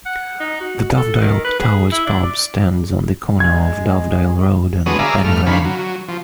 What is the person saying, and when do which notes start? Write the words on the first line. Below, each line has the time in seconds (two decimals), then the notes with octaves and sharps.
The Dovedale Towers pub stands on the corner of Dovedale Road and Penny Lane.
0.06 F#5
0.40 D#4
0.61 F#4
0.97 A4
1.20 D#3
1.45 B4
1.60 G#4
1.92 E4
2.07 D4
2.23 D5
3.40 G#3 G#6
4.86 D3 G#3 B3 F#4 C#5 D#6
4.99 G#4 D5 E5 F5 A#5
5.24 G2 A3 F6
5.47 D3 D#3 C#4 F5 B5
5.65 F#3
6.08 F3